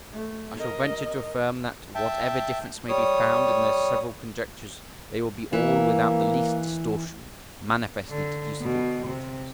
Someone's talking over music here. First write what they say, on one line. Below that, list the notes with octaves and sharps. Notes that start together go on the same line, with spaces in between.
I shall venture to affirm that, whatever difference may be found in their several conjectures, they will be all, without the least distortion, manifestly deducible from the text.
A3
A#4 D#5
E5 G5 A5
G3 C#5 D#6
E3 A#3
D3
B2
C3